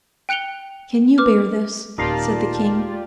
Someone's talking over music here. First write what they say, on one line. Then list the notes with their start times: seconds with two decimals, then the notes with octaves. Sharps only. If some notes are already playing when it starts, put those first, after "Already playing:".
"Can you bear this?" said the king.
0.29 G5 F#6 C#7 F7 G7
1.18 B4 D6 F6
1.98 D#1 D#4 F4 G4 A#4 D5 F5 A5